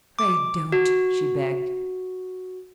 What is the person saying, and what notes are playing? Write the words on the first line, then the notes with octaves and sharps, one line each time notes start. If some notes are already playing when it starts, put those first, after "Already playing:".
"Pray don't!" she begged.
D6
F#4